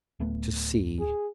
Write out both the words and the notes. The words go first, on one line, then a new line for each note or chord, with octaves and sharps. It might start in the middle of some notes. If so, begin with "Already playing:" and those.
To see.
D1 A3 B3
G#4